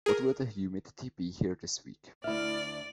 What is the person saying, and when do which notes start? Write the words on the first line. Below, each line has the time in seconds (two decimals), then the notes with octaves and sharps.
What will the humidity be here this week?
0.06 G#4 A#4
2.24 D2 E4 D5 E5 F6